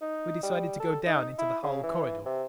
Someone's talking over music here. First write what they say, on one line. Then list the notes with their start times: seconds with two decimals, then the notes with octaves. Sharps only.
We decided to go down into the hull corridors.
0.01 D#4
0.43 G3
0.80 A4
1.06 D#4
1.39 E4
1.63 C#3
1.83 E3
2.26 C3